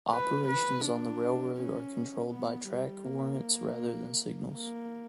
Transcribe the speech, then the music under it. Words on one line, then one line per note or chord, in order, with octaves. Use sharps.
Operations on the railroad are controlled by track warrants rather than signals.
B4
B4
D4
C#4
B3
G3
A#3
A#3